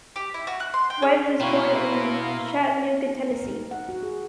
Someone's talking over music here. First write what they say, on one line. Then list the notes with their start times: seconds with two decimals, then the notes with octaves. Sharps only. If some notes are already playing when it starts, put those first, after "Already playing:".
White was born in Chattanooga, Tennessee.
0.16 G4
0.34 E4
0.47 F#4
0.60 F#6
0.74 C6
0.90 G5
1.02 G#4
1.40 B2 A#3 E4 A#4 F5 G5 C6 C#6
3.31 A#4
3.49 D#4
3.71 F#5
3.89 F#4
4.03 G#4